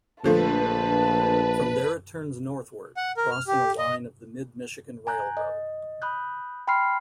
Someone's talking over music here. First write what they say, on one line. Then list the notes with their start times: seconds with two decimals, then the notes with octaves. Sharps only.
From there it turns northward, crossing a line of the Mid-Michigan Railroad.
0.24 A#1 D3 F3 A3 B4 A5
2.97 F#5
3.17 A#4
3.31 F6
3.47 G4
3.78 D#5
5.07 G#5 A#5 F#6 G6
5.37 D#5
6.02 B5 D#6 F#6 G6
6.67 G5 B5 C6 F6 C7